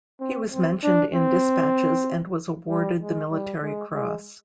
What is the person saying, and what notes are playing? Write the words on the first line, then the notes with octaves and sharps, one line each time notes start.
He was mentioned in dispatches and was awarded the Military Cross.
C4
C4
D4
C4
G3
G#3
G3
G#3
G#3